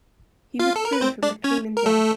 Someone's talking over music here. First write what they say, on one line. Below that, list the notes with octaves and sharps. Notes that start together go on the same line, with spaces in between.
He withdrew from the clean and jerk.
F4 F5
A4
A#4
B4
C4 C5
D4 D5
C#4 C#5
A#4
A3 A4